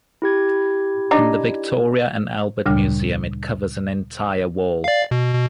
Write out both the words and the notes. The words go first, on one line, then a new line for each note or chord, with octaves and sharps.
In the Victoria and Albert Museum it covers an entire wall.
E4 G4 G#6
D4 D#4
D2 A#2 C#3 G3 D4 F6
D5 F5
B2
B2